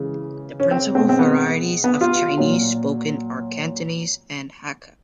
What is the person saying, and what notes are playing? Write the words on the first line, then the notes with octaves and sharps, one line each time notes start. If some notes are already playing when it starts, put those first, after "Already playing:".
The principal varieties of Chinese spoken are Cantonese and Hakka.
Already playing: C#3 E3 G#3
C#4
C4
B2 G#3 C4
C4
B3
B3
F4
A#2 F#3